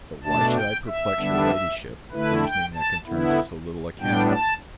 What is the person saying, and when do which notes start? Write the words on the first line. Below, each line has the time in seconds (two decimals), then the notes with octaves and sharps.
But why should I perplex your Ladyship with reasoning that can turn to so little account?
0.24 B2 A3 D4 A5
0.55 G5
0.87 E5
1.18 D3 G3 B3 D4
2.12 D3 A3 E4 B4
2.44 G5
2.75 A5
3.07 D3 B3 E4
4.00 A2 G3 B3 D4 G5
4.32 A5